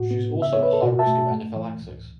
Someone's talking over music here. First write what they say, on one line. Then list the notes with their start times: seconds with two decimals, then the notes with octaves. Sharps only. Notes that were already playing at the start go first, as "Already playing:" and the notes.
She is also at high risk of anaphylaxis.
Already playing: A2 F#4
0.11 B3
0.35 C#3
0.42 E5
0.53 C#5
0.59 B3 B4
0.73 A4
0.83 B2 F#4
0.99 E5 A5
1.07 A3
1.32 A3
1.56 E3
1.80 C#2